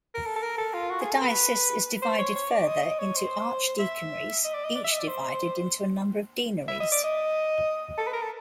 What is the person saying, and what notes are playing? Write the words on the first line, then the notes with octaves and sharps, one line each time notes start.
The diocese is divided further into archdeaconries, each divided into a number of deaneries.
A#4
A4
A4
A#4
A4
F4
F#4
G#4
A4
B4
C5
C#5
C#5
D5
D#5
D#5
C#5
C5
E5
D#5
D5
D#5
D5
E5
D#5
D5
C5
E5
D#5
D5
D#5
A4
B4
A#4
A4